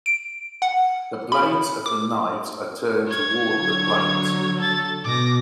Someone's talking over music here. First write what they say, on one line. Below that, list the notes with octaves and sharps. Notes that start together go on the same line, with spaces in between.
The blades of the knives are turned toward the plate.
D7
F#5
B5
D6
C#5 G#6
D3 F#3
A4 A6
B2 D6 A#6